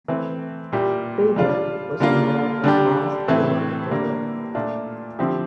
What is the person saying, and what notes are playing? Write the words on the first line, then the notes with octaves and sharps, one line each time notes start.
Faber was a man of vast theological learning.
E3 A3 C4
A#2 G3 A#3 E4 G4
G3 D4 F4
D3 G3 A#3 F4
D3 G3 D4 G4
A2 E3 A3 C4
D3 G3 A#3
A#2 A3 D4 F4
D3 F3 C4 E4 G4